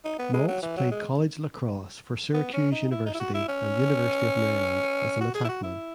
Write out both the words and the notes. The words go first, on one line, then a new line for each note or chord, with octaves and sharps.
Maltz played college lacrosse for Syracuse University and University of Maryland as an attackman.
D#4
B3
G#3
F#3
E3
F#3
G#3
B3
C#4
D#4
E4
D#4
E4
F#4
E4
C#4
F#4
G#4
E4
F#4
E4